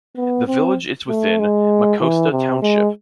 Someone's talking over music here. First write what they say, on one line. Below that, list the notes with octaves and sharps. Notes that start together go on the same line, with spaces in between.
The village is within Mecosta Township.
B3
C4
A3
G#3
E3
C3
G#3